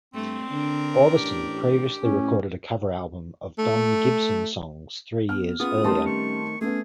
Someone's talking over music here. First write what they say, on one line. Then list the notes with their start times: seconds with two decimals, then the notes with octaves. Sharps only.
Orbison previously recorded a cover album of Don Gibson songs three years earlier.
0.14 G2 A3 C4
0.51 D3 D4 A#4
1.15 A1 G4
2.03 A2 C#4
3.59 A3
5.29 B3 F6
5.60 B3 C#4 F4 G#4 D#6
5.84 D#3 G3 A3 C4 A5 C6
6.07 C#6
6.61 A3 B3 C#4 G#4